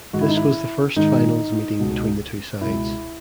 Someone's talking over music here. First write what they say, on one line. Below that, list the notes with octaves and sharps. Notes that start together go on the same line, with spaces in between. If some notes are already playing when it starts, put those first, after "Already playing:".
This was the first finals meeting between the two sides.
G#2 D#3 F#4
E4
D#4
E4
G#2 D#3 D#4
C#2 B2
C#2 B2 E4